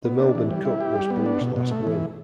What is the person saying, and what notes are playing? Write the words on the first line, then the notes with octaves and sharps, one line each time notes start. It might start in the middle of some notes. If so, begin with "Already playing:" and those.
The Melbourne Cup was Brew's last win.
B3
D4
E3
G3
E4
G4
G3
B3
D4
B2
B2
A3
E3